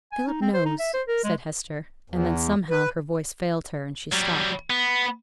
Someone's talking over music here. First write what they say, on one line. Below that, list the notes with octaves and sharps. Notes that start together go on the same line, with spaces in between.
'Philip knows,' said Hester, and then, somehow, her voice failed her and she stopped.
G#5
D#4
C4
C5
D#4
E5
C5
A#4
G#3
E2
B4
F#3 G3
B3